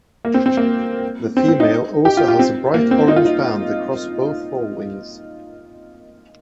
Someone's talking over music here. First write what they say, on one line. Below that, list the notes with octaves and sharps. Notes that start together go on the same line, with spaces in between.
The female also has a bright orange band across both forewings.
A#3
C4
C4
A#3
C4
C4
D#4
G4
F4
F4
C4
A#3
C4
D#4
F4
D#4